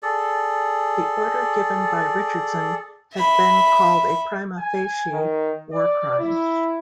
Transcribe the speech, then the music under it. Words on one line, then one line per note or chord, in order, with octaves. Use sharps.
The order given by Richardson has been called a "prima facie" war crime.
G#4 A4 D5
E5 B5
G#5
D#3
D5
E4